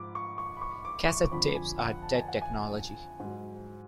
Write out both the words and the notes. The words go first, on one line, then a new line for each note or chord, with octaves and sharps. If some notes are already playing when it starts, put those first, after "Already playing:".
Cassette tapes are dead technology.
Already playing: G#2 F3 B5 D6
C#6
C#6
B5
C#6
D6
C#6
C#6
F2 D3 F3 B5
G#5
F#5
A5
G#5
F#5
G#5
G#2
F#3